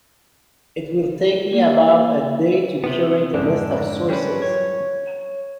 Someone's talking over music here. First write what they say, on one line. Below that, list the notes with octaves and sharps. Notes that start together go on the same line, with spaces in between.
It will take me about a day to curate a list of sources.
A#3
C3 B3
F2 G#2 D3 D4
F#3 G3 C#4 D4 B4
C#5